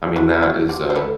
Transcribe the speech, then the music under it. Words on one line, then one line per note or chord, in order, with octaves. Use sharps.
I mean that is a
E4 F#4
E4 F#4
F4 G4
C5
A4 B4